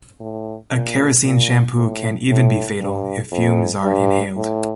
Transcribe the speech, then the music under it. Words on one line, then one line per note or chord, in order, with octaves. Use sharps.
A kerosene shampoo can even be fatal if fumes are inhaled.
A2
A#2
A#2
A2
A2
G2
F2
G2
A2